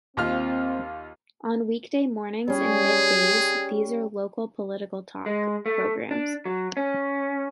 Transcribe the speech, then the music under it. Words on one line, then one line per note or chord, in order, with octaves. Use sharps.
On weekday mornings and mid-days these are local political talk programs.
D#2 C4 F4 F6
G3 C#4 G#4
G#3
A3
D4
F#3
C#4